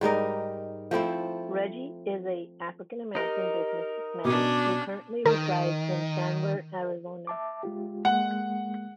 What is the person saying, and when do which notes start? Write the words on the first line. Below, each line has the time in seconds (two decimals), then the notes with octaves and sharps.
Reggie is an African-American businessman who currently resides in Chandler, Arizona.
0.01 G#2 G3 D#4 A#4
0.91 F3 A3 C4 E4
3.15 D#4 G4 A#4
4.25 B2 C#4 D4 D6
5.26 D#3 A#4
7.27 E5 A5 D6
7.63 G#3 F4 G4
8.05 G#3 A#3 F#5